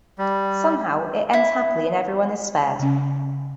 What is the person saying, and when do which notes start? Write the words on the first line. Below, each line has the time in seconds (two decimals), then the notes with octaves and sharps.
Somehow, it ends happily and everyone is spared.
0.18 G3
1.33 E4
2.80 C#3 C#4